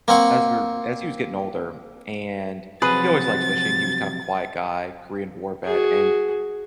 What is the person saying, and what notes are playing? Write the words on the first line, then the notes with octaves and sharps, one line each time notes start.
as we were as he was getting older, and he always liked fishing, he was kind of a quiet guy, Korean War vet, and,
A#3 C4 F#5 C#6
C3 F3 F#3 G#4 B4 A6
F#4 G#4